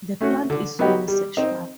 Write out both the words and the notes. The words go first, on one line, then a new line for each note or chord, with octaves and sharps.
The plant is unisexual.
A3 C#4 F#4
D3
F#3 B3 D#4 G4
G3
C4 D#4